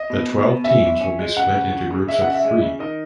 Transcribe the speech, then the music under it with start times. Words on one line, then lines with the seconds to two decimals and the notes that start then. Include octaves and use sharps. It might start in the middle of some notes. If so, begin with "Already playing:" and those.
The twelve teams will be split into groups of three.
Already playing: D#5
0.10 B2
0.29 B2
0.47 B2
0.64 C#4 E5
0.82 B1
1.01 C#4
1.19 G#3
1.36 C#3 F#5
1.54 C#3
1.73 C#3
1.91 C#3
2.08 G#3 E5
2.21 F#5
2.27 C#3
2.34 E5
2.45 G#3
2.62 C#3
2.79 D#3 D#5